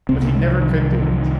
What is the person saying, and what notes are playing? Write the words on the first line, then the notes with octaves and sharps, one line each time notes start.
But he never could do it.
C2 C3 C4
A#3
G#3
F3
D#3
F3
D#3
F3
D#3
F3
D#3